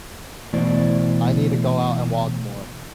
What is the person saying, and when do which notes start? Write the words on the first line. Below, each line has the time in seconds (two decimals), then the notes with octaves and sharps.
I need to go out and walk more.
0.53 B2 E3 A3 E4 C5 D5